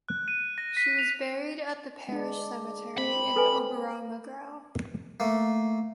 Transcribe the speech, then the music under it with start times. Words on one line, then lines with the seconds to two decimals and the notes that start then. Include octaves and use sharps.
She was buried at the parish cemetery in Oberammergau.
0.09 F#6
0.28 D#7
0.58 A#6
0.77 B6
0.99 F7
2.08 G#3 D4
2.98 C4 B5
3.36 A4 B4 G#5
5.20 A3 A#3